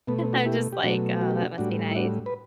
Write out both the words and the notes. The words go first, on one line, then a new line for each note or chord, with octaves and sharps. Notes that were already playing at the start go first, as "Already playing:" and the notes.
I'm just like, "Oh, that must be nice."
B2 A3 B3
C4
D4 F#4
E4 G4
G4
B2 F#3 A3 D4 F#4
F#4
G4
D4 F#4
A2 G3 D4 F#4
E4
D4 F#4
B4